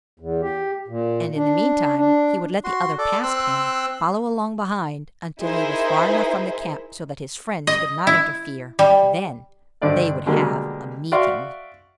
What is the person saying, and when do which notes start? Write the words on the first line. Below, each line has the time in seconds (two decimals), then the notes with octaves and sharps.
And in the meantime he would let the other past him, follow along behind until he was far enough from the camp so that his friends could not interfere--then, they would have a meeting!
0.20 E2
0.42 G4
0.88 A#2
1.36 D4
1.97 D4
2.64 F#4 C6
2.99 A4 D5
3.23 C4 C6 E6 F#6
5.40 D#4 E4 G#4 A#4 C5 E5
7.67 D#5
8.07 E4
8.79 G3
9.82 G2 D3 C5 D5 D#5
10.26 B2 D3 G3 G#3 A#3
11.12 F#4 D5 E5 F5 C6